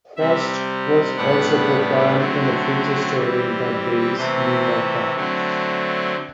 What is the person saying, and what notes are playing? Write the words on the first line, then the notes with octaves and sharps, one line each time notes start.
Faust was also profiled in a feature story in that day's New York Times.
C3 G3 C4 E5
A2 G3 B3 D4 F#5
D3 F#3 A3 C4
E3 G3 C4
C3 E3 A3 C4 C5
D3 F#3 A3 C4